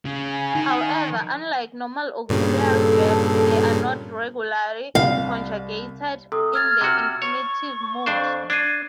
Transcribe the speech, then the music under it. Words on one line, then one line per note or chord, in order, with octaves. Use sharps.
However, unlike normal auxiliary verbs, they are not regularly conjugated in the infinitive mood.
C#3
G#5
D#3 D#4
G2 A#2 C#3 A4
C2 F5
C3 A4 D#6
E6 F6 G#6 A6
C3 F#4
C#5 C#6
F2 D4 C5
D4 G#6 C7 D#7